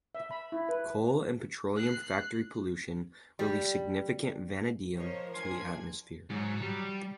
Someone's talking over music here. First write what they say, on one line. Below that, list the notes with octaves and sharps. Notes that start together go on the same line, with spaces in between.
Coal and petroleum factory pollution release significant vanadium to the atmosphere.
E5
B5
E4
B4
F#6 C7
G3
F3 A#4 C5 C#5 D#5
F3 D4 G#5 C6 G#6
G#2 F#3
G3